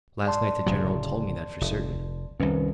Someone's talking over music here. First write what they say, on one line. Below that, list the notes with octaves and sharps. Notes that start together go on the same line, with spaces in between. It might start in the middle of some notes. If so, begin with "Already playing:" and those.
Last night the General told me that for certain.
D5 A5 C6
D1 C#3 F#3
F1
C2 F2 D#3 C#4 B4